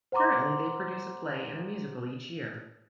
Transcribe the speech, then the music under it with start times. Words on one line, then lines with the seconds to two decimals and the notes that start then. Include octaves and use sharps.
Currently, they produce a play and a musical each year.
0.12 C5 F#5 A#5 C6 D6